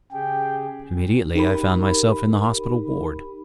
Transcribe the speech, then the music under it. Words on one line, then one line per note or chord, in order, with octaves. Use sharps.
Immediately I found myself in the hospital ward.
C#3 G4 G#4 G5
D#4 G4 A#4 B5